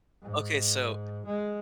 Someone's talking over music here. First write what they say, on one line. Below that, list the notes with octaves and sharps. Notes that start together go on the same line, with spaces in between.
Okay, so,
G#2
G#3